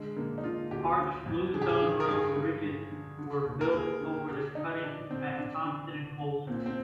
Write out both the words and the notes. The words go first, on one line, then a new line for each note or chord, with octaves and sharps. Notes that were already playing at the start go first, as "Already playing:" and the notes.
Arched bluestone road bridges were built over the cutting at Thompson and Cole Streets.
Already playing: D3 G#3
D3 A#3
D#4
D3 F4
D2 G4
D3
F2
D3 G#4
G4
G#4
D3
A#4
G2 G#4
G2
G2
D3
D3
D#2
A#4
D#2 G#4
D3
D3 G4
D3 D#4
D3 D4
D3 C4
D3 D4
D3
D3
D3
A#2 C4
C4